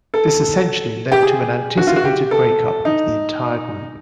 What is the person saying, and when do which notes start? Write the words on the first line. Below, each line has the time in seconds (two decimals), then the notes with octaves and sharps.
This essentially led to an anticipated breakup of the entire group.
0.14 A4
1.12 G4
1.22 G#4
1.77 F#4
1.87 F4
1.96 F#4
2.05 G4
2.31 A4
2.85 D#4